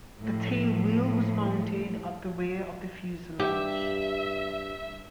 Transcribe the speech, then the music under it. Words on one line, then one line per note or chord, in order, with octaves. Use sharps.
The tailwheel was mounted at the rear of the fuselage.
A2 F3
G2 G4 E5